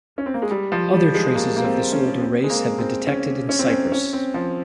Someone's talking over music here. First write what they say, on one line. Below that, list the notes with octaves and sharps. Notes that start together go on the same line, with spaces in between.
Other traces of this older race have been detected in Cyprus.
C#4
C4
A#3
G#3
G3
F3
G3
G#3
A#3
A#3
C4
C#4
C4
G#3
A#3
C4
C#4
C#4
C4
C#4
C#4
C4
F3